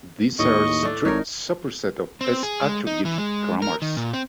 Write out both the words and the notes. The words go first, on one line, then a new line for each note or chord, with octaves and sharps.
These are a strict superset of S-attributed grammars.
D#2 A2 D#5 C#6
A3 D4 A4
G#1 D#4 A#4 C#5
C4
G#4
G#3
D#4
E3
G#3
A#4
D#3
A#2
C4